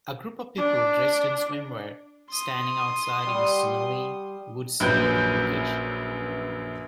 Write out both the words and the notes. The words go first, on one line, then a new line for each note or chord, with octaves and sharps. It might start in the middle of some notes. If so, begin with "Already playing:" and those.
A group of people dressed in swimwear standing outside in a snowy, woodsy location.
D4
C6 D#6
G3 F#5
A#1 F#2 B4 G6